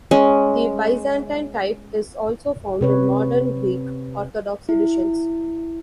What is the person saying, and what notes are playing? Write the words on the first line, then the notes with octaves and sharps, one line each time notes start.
The Byzantine type is also found in modern Greek Orthodox editions.
G#3 C#4
C3 B4 C#5
E4